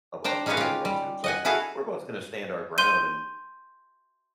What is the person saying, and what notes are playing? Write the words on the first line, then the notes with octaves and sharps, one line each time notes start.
"of of where they went to." It's like, we're both gonna stand our ground and,
D4 C5 G5 A#5
G#3 C#4 D#4 B4 C#5 F5
F4 G4
G3
D#5 F#5 G#5
E4 F#4 G#4 A4 F5
C6 G6 D#7